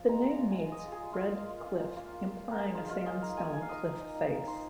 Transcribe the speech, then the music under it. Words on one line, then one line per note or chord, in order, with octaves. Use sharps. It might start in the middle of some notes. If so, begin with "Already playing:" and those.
The name means 'red cliff', implying a sandstone cliff-face.
Already playing: F3 F4
G#3 A#5
G#3
A#5
F4
G#5
G#3
G#3 D#5
F4 G#4
G#3
F4
G#3
A#3
F4
F4
A#3
A#3 F4
F4
F4
F4
A#4
A#3 G#4
D#4 F4
D#4 F4
A#3 G#4
D#4 A#5
A#3 G#5
A#3 G#5
F5
D#4 D#5
D#4
D#4
D#4
D#4
D#4 C5